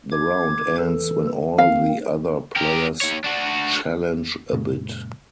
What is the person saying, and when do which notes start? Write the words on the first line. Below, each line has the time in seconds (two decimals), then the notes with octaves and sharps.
The round ends when all the other players challenge a bid.
0.11 D6 G#6
0.79 E3 A4
1.58 D#3 C4 F5
2.56 G4 A#4
3.01 D#2 C#5
3.24 D4 F#4
4.53 F#2 A#2 C#3 G#3